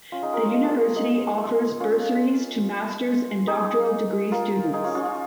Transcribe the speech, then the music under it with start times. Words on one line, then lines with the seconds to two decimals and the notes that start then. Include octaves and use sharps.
The university offers bursaries to master's and doctoral degree students.
0.12 C#4 F4
0.22 D#4 G#4
0.33 F4 A#4
0.44 C#5
0.53 D#5
0.63 G#4 C#5
0.96 D#4 G#4
1.80 C#4 F4
3.47 D#4 G#4
4.32 F4 A#4
4.73 D#4 G#4
4.84 C#4 F4
4.95 C#4 F4
5.05 C#4